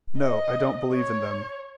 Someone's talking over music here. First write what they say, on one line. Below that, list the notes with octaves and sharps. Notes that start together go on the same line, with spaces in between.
No, I don't believe in them.
D#5
C#5